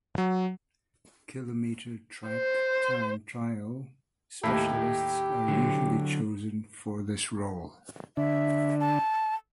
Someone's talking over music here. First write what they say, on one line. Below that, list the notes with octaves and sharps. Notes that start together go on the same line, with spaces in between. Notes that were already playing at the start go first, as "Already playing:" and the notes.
Kilometre track time trial specialists are usually chosen for this role.
F#3
C5
D#2 A2 G4
D3 F#3
D3 D4 E5
A5